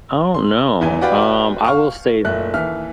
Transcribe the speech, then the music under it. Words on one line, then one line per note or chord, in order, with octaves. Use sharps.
I don't know. Um, I will say
C6
E2 E3 G#5
F#4 G4 B4 D5 F5 G5
F5 C#6 F6
F#1 A#2 A3 F#6
D#2 E3 E5 F6